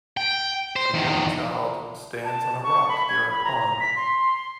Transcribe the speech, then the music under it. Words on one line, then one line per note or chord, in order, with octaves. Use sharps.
A young child stands on a rock near a pond.
G5
C5
E2 D#3
A5
C#6
B5
G#6
B5
A#5
B6
C6